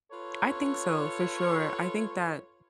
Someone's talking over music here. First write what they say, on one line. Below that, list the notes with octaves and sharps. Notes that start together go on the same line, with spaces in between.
I think so for sure, I think that
F4 A4 B4 C#5